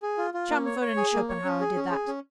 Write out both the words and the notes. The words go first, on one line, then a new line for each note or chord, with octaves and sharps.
Chamfort and Schopenhauer did that.
G#4
F4
F4
A#3
C#5
C#5
G#4
A#3
C#5
C#4
G#4
C#4
G#4
C#4